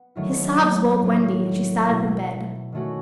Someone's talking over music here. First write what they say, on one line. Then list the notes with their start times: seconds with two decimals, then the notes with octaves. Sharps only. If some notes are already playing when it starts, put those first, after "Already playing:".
His sobs woke Wendy, and she sat up in bed.
Already playing: B3
0.15 D#3 F#3 A3 E4
1.01 A2 F#3 B3
1.87 B2 A3 E4
2.72 D#3 A3 C#4 F#4